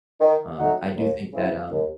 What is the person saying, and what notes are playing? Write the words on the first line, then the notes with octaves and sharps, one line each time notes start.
um, I do think that, um,
D#3
F#3 A3 D#4 F#4
D#2
C#3 E3 C4
D#2